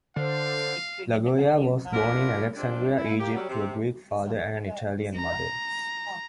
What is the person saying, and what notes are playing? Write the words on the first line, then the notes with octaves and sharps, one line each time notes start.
Lagoya was born in Alexandria, Egypt, to a Greek father and an Italian mother.
D3 C5 F5
F3 B3 D4 E4 F4 A#4
C3 F3 G#3 D4
E4
A#3 G4
F#3 G3
C3
A#5